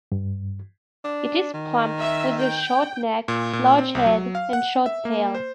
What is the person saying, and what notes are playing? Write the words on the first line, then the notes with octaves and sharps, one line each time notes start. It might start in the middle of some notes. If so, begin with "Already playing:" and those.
It is plump, with a short neck, large head, and short tail.
G2
D4
D#3
E5
G5
A#2
A#2
C4
C2
F#3
F5
F#5
E5
A#3
C5